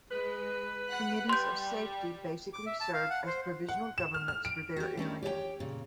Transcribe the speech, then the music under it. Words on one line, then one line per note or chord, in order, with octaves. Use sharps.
Committees of Safety basically served as provisional governments for their area.
G#3 B4
F#5 F#6
G3 C6 G6
D6
E5
A5
F5
F#5
C5
F#5
E7
F6
F6
D7
F#4 G4
A3 C#4 D4 E4
G4 C#5 D5 G5
A#2 C#3